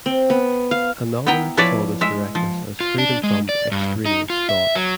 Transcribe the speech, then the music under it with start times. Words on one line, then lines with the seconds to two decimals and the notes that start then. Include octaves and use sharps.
Another saw this directness as freedom from "extraneous thoughts".
0.06 C4
0.30 B3
0.71 F5
1.26 B3 E4 G5 A#5
1.57 F3 E4 B4 C#5 D5 E5
2.01 G#3 E5
2.35 F3
2.80 F4
2.98 D4
3.23 G#3
3.49 D5
3.72 G2
4.06 D#4
4.30 F4
4.49 E5
4.75 F#3